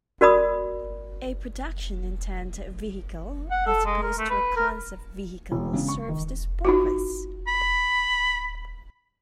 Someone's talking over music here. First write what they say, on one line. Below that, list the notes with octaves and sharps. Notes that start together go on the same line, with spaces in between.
A "production-intent" vehicle, as opposed to a concept vehicle, serves this purpose.
F#4 A#4 D5 B5 D#6
F#5
A4
G#3
A#4
A3
B4
A#4
E1
C#3
C#6
D#3
D#4 F4 F#4
B5